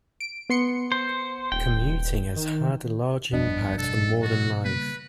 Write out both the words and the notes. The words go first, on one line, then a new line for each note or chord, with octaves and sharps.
Commuting has had a large impact on modern life.
D7
B3 C6 C#7
C5
D#1 G5
D#3
G1 F2 F3 G3 B3 D4 D#5
B2 A4
B2 F#4
C#3 G3 A#3 B4